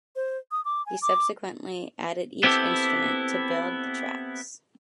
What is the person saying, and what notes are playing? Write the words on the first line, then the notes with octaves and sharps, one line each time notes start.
He subsequently added each instrument to build the tracks.
C5
D#6
D6
G#5
D6
B3 C4 E4 G4 A4